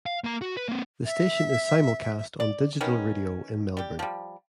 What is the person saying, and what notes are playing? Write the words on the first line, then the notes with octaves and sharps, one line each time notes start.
The station is simulcast on digital radio in Melbourne.
F5
A#3 A#5
F#4
B4
A#3 C4
E5
D5
D#3 F#3 B3 C#4
G3 G4
F3 G3